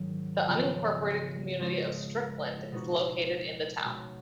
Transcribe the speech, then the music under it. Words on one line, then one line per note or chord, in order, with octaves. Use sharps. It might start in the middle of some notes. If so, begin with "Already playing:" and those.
The unincorporated community of Strickland is located in the town.
Already playing: G#2 D#3 F#3
C#3 F3 B3 F4
F3 G#3 C#4 F4
B2 G#3 D#4 F#4
B2 G#3 C#4 F#4